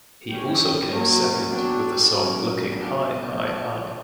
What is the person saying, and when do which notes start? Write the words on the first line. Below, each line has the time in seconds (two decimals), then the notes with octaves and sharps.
He also came second, with the song "Looking High, High, High".
0.30 G3 A#3 C#4 G5
0.90 F#3 A#3 C#4
1.49 F#3 B3 D4 G5
2.10 F#3 A#3 C#4
2.68 F#3 B3 D4 G5
2.98 G#5
3.28 F3 A3 D4 G5